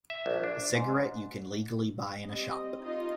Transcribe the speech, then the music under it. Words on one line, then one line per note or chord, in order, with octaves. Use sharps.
A cigarette you can legally buy in a shop!
E5
A#1
D4
G#2
G3 C4 D#5
D#4 F4 D#5